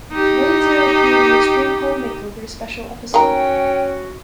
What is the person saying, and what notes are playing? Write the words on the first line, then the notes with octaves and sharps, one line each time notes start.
Wanyesville appeared in Extreme Home Makeover Special Episode.
D#4 G4
D#3 C#4 F#4 G5 A#5